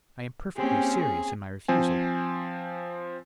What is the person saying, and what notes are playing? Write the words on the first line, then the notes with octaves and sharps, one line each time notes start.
I am perfectly serious in my refusal.
A#3 C4 C#4 G4 G#4
G#4
F3 C4 G#5